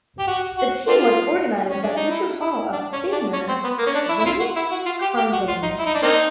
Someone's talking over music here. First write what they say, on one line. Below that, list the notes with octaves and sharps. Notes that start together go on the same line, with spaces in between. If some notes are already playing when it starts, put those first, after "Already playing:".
The team was organized by future Hall of Famer, Jimmy Conzelman.
G4
F#4
F#4
C4 D4 F4
C#4
D4
D#4
E4
E4
D4
C#4
D4
C#4
C4
B3
A#3
C#4
D4
E4
E4
F4
F#4
E4
F#4
F4
G4
G4
F#4
F4
D#4
E4
D#4
D4
A#3 C4 D#4